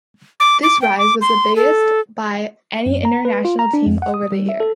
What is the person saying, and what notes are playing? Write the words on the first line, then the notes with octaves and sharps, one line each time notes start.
This rise was the biggest by any international team over the year.
D6
D6
G5
D6
C6
A4
F#2
A#5
B4
F4
A#5
D4
F2
F#5
D#6
G3
E5
A4